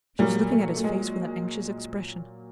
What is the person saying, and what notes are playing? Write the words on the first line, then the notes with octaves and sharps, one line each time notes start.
She was looking at his face with an anxious expression.
A#2 F#3 G3 A#3
A3
A3
G#3